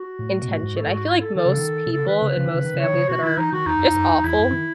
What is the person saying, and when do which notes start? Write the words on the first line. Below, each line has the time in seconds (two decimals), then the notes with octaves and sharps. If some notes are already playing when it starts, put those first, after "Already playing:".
intention. I feel like most people in most families that are just awful
Already playing: F#4
0.19 A2
0.43 B2
0.48 A2
0.63 G#2
0.75 A2 A4
0.87 G#2 F#4
1.06 E4
1.21 A4
1.35 D#3 A4
1.46 C#3
1.58 D#3
1.87 B2
1.93 C#3 A4
2.07 D#3 B4
2.22 C#3
2.37 C#3
2.46 D#3
2.55 C#3
2.64 D#3
2.74 C#3
2.80 D#3 C#5
2.94 C#3
3.08 B2 F#4
3.23 D#3 E4
3.37 E3 D#4
3.53 D#3 F#4
3.66 E2 D#4
3.77 F#2
3.86 E2
3.95 F#2
4.09 E2
4.24 E2 E4
4.39 F#2
4.53 D#3